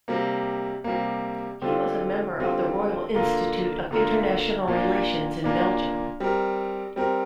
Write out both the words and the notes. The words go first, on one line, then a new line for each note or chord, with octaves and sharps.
He was a member of the Royal Institute of International Relations in Belgium.
C3 G3 A#3
C3 G3 A#3
D3 G3 C4 F4
D3 G3 C4 F4
D3 A#3 F4 A#4
D3 A#3 F4 A#4
A#2 A#3 D4
A#2 A#3 D4
G3 C4 A#4
G3 C4 A#4